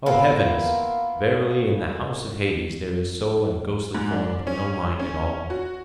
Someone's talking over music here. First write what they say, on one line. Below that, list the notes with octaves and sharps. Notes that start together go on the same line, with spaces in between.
'O heavens! verily in the house of Hades there is soul and ghostly form but no mind at all!'
A#3 B3 E4 F4
G#2
D4
C#4
C#4
F#4